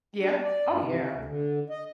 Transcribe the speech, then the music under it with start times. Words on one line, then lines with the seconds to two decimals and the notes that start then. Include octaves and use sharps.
Yeah. Oh, yeah.
0.18 D4
0.43 D5
0.68 G2
0.81 C3
1.12 D2
1.25 D3
1.70 D#5